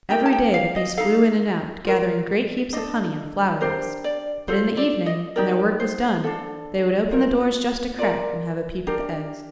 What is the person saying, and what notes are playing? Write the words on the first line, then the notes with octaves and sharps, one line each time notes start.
Every day the Bees flew in and out, gathering great heaps of honey and flower-dust; but in the evening, when their work was done, they would open the doors just a crack and have a peep at the eggs.
D#4 G4 A#4 G5
A5
G5
F5
D#5
D#4 A4 F5
F4 A#4
D4 A4 D#5
D4 G4 A#4 C5
D5
F4 A4 C5
D5
D#5
D#4 G4 A#4 D5
C5
D4 A4
F4 A#4
F4 A#4 D5
D4 G4 A#4